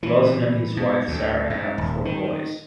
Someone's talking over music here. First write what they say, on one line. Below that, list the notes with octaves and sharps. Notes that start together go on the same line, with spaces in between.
Lauzen and his wife, Sarah, have four boys.
E3
B2
D2
G#2
D#1
D#3